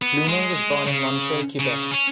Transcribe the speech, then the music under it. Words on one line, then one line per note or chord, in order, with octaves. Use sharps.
Blumer was born in Montreal, Quebec.
B3
G#3
C#3
C#3
C#4